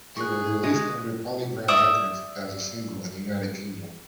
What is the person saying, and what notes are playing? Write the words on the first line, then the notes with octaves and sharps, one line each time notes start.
It was released under PolyGram Records as a single in the United Kingdom.
G#4 C#6 F#6
G#3 D#6 A#6
D5 E5 D#6